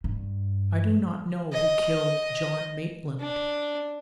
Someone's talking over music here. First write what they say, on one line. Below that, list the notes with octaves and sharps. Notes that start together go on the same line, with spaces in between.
I do not know who killed John Maitland.
G2
D#5
D4